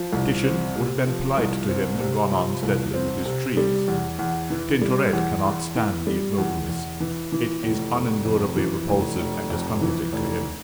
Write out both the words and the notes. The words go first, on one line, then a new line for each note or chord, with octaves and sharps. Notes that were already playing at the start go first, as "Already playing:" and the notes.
Titian would have been polite to him, and gone on steadily with his trees. Tintoret cannot stand the ignobleness; it is unendurably repulsive and discomfiting to him.
Already playing: F3
C2
C4
C3
F3
C2
C4
C3
F3
C2
C4
C3
G3
E2
E2
E3
G3
E2
E2
E3
G3
E2
E2
E3
E3
F1
F1
F2
E3
F1
F1
F2
E3
F1